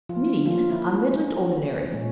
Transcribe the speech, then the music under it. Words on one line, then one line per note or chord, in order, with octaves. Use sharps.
Middies are Midland Ordinary.
F3 F4
F3 A#3 C#4 F4
E4
C#4
A#2 G#3 C#4